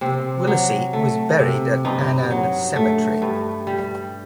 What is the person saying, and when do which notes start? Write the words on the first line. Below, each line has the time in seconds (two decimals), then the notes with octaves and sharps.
Willacy was buried at Annan Cemetery.
0.01 C3 C4
0.47 F#3
0.93 A3
1.39 C3
1.85 G2 D#4
2.31 F#3
2.76 A3
3.22 G2
3.67 G3